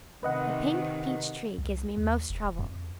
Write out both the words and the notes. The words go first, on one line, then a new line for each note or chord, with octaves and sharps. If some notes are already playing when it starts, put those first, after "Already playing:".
The pink peach tree gives me most trouble.
C3 D#3 B4 D#5 F#5
C2
D#2
F1
D#1
F2